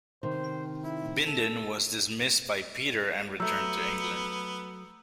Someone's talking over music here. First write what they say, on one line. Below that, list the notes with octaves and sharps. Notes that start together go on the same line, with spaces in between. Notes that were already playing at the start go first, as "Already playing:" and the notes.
Bindon was dismissed by Peter and returned to England.
C3 D#3 C5
E4
A4
F#3 A3 B3 A#5 E6 G6